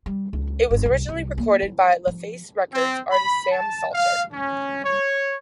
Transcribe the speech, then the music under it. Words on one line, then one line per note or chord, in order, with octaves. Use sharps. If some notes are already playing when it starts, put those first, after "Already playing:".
It was originally recorded by LaFace Records artist Sam Salter.
G3
C#2
G1
C2
C2
A#3
E4
F3
C4
B5
A5
F5
C#4
C#5